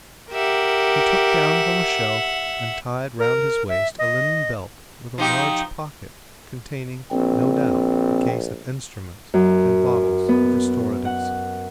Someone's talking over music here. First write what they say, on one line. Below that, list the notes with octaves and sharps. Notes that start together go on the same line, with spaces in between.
He took down from a shelf, and tied round his waist, a linen belt with a large pocket containing, no doubt, a case of instruments and bottles of restoratives.
G4 A#4 E5 F#5
A#4
E5
D#5
F3 D#4 G4
A#1 C4
F#2
B3
F#5